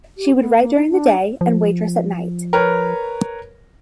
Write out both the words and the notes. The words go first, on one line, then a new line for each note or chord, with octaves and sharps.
She would write during the day and waitress at night.
G4
B3
A#3
D#4
D4
F3
A#4 B4 C#5